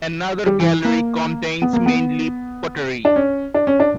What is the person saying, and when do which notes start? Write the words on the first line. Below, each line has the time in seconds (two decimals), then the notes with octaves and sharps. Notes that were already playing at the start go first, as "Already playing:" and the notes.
Another gallery contains mainly pottery.
0.46 G3
0.60 E3
0.85 A#3
1.62 B3
1.73 A#3
1.86 B3
3.05 D4
3.16 C#4
3.54 D4
3.67 C#4
3.80 D4